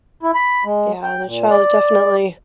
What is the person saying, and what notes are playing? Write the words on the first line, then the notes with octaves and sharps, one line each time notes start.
Yeah, and a child, definitely
E4
B5
G#3
G5
A#2
D5